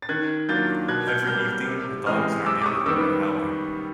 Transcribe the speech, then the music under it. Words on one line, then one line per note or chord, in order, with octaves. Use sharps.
Every evening, the dogs in our neighbourhood are howling.
A6
D#3 F#6 G#6
F#3 A#3 D4 F4 G6 A6
B2 F#6 G#6
F6 G6
G3 A#3 F6 G6
F6 G6
C3
E3 G#3 C4 D#6 F6
C3 D6 E6
D6
C#6 D#6
D#3 G3 B3 D6 E6